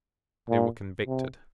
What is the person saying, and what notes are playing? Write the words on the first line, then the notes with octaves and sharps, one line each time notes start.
They were convicted.
A#2
C3